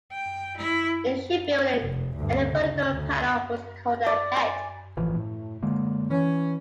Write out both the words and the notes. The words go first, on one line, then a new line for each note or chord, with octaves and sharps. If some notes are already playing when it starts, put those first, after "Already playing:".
In shipbuilding, any vertical panel was called a "head".
G5
E4
F1
D2 G2
C#3
D2
D5
G#5
A1 E3 F3
A2
D3 G#3 A#3
E3 C#4